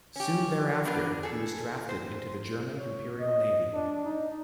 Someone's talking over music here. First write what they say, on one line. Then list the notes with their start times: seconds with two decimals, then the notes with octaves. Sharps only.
Soon thereafter, he was drafted into the German Imperial Navy.
0.16 C#4 G4
0.85 B3 D4 A#4
1.23 G#4 A4
1.89 C5
2.78 C#5
3.19 D#5
3.74 D4
4.05 D#4